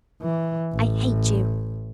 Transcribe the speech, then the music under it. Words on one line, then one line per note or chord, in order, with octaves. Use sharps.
I hate you.
E3
A1